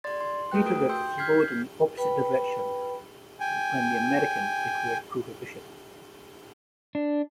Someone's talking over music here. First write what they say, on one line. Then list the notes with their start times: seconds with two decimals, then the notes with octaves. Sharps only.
Later it flowed in the opposite direction when the Americans declared Prohibition.
0.04 D5 C6 A6
0.21 C6
0.52 A3 G#4 B4 G5 F#6
0.66 F#4 A#4 D#6 D7
0.89 G5 C6 E6 G6
1.18 F6 G6 G#6 B6 C7
1.97 B4 G5 B5
3.40 G5 G#5
6.95 D4